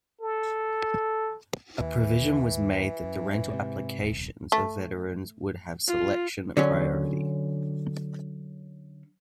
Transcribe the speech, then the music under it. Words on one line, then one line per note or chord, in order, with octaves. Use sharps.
A provision was made that the rental applications of veterans would have selection priority.
A4
D#2 E3
F#2
G#2 C3
D#1 C2
A3
F4
D3 F#3 C#4